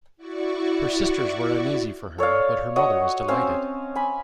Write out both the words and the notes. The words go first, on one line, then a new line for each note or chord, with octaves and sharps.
Her sisters were uneasy for her, but her mother was delighted.
E4 F#4 D5 C#6
A4 C#5 D5 F5
F#4 C#5 D#5
C4 C#4 C5 F5
G#5 B5